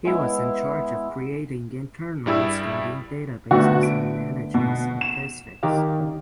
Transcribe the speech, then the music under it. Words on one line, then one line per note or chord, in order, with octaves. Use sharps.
He was in charge of creating internal scouting databases and managing statistics.
G#3 B3 E4
G2 G3 E4 G#4 E6
D3 A3 B3 F#4
D7
B2
E7
D#3 G4 F5